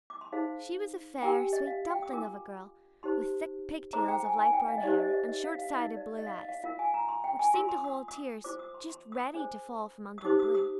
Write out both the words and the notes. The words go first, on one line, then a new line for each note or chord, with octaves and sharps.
She was a fair, sweet dumpling of a girl, with thick pig-tails of light brown hair, and short-sighted blue eyes, which seemed to hold tears, just ready to fall from under the blue.
D6
C6
D#4 G#4 C5 F5
D4 G4 A#4 G5
D#5
F5
G5
D#6
D4 F4 A#4 D6
D#4 G4 C5 C6
D#4 G#4 C5 A#5
G5
G#5
G#5
G5
F5
D#5
D#4 G4 C5 D5
D#5
D#5
D#5
F5
F5
D#4 A#4 D#5
D5
D#5
F5
D#5
F5
F4 A#4 F5
G#5
A#5
C6
G5
G#5
F4 A#4 C6
C6
D#6
D#6
F4 C5 D6
D#6
C6
C6
D#6
D4 G#4 C5
D#6
D#4 G4 C5 D6
D#6
D#6